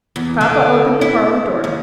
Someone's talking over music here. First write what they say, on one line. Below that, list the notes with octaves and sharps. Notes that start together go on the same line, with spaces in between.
Papa opened the parlor door.
E2
D3
E4
D#2